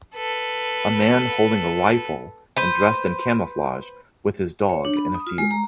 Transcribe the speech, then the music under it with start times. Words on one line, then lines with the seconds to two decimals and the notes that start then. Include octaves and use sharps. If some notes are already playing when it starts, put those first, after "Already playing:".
A man holding a rifle and dressed in camouflage with his dog in a field.
0.15 A4 B4
2.57 B4 C5
4.69 C#5
4.85 D4
4.97 B5
5.15 D#6
5.27 F4
5.38 G#3
5.51 A#5